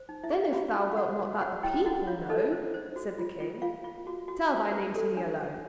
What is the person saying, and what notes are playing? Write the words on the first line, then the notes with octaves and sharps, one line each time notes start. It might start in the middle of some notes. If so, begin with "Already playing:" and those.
"Then if thou wilt not that the people know," said the King, "tell thy name to me alone."
Already playing: C5
D#4
E4 E5
G#4
F4 F#4 F5
F#4
F5
F#4 F#5
F#4
F#4 C#5 F#5
E4 G4 G5
E4 F#4 F#5
F4 C#5 F5
D#4 A4 D#5
C5
C5
F#4
F4
F4
F4 F5
F4
F#4
F#4
F#4
B4
A4
D4
D4